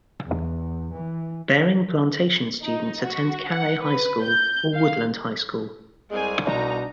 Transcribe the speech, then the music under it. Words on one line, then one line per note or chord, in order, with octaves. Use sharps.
Baring Plantation students attend Calais High School or Woodland High School.
E2
E3
D#4
F#4
F#5
B4
G6
F5
C2 G#3 C4 G#5
B2 D4 D#4 A#5